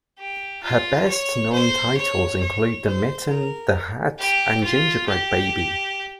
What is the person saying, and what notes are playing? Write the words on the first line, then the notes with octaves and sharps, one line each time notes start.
Her best-known titles include "The Mitten", "The Hat", and "Gingerbread Baby".
G4
F4
C#5
C5
C#5
C#5
C5
A#4
G4
F4
G4